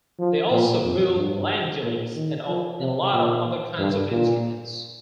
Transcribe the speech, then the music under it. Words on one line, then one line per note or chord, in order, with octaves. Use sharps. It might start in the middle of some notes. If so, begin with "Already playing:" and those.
They also build langeleiks and a lot of other kinds of instruments.
F3
A#2
F2
G2
A#2
D#3
F3
C3
A#2
G2
A#2